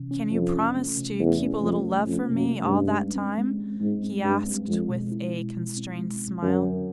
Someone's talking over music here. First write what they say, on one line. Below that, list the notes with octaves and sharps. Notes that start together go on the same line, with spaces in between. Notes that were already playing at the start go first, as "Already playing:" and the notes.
'Can you promise to keep a little love for me all that time?' he asked with a constrained smile.
Already playing: C3 E3 C#4
C#4
F2 C#4
C#4
A3
C3
E2 A3
C#4
F2 A3
A3
F2 C#4
C3
F#2
A3
G2
C#4
G#3
C4
G#3
C4
G#2 G#3
C4
G2 G#3
C4
F2 G#3
B2
E4
B2
B2
C4
G#3
C4
F#2 D3
F2